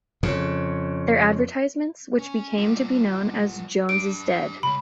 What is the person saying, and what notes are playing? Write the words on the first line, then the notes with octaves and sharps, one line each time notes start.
Their advertisements, which became to be known as Jones is Dead!
F2 C#3
C#4
G3 F4
G4 B4 D7
C#3 G#3 B5